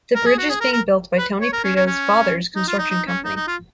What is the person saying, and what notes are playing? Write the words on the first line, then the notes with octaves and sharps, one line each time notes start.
The bridge is being built by Tony Prito's father's construction company.
A#4
G#4
F#4
G#4
A#4
A#4
B4
C#5
A#4
C#4
C#4
C#4
D#4
F4
D#4
D#4
C#4
D#4
D#4
F4